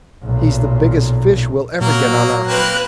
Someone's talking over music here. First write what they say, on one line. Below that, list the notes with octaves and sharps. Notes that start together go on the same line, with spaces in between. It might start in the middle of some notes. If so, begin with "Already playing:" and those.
"He's the biggest fish we'll ever get on our hook."
B1 A#2
A#2 F#3 A#3 A#4
A#3 C4 B4 F#6